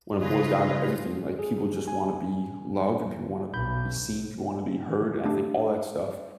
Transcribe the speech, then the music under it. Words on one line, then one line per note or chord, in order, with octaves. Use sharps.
when it boils down to everything, like, people just wanna be loved, and people wanna be seen, people wanna be heard, and I think all that stuff
C#3 F4 G#4 B4 D#5
G#4
G#5
B1 B5 G6
A3 D4 G4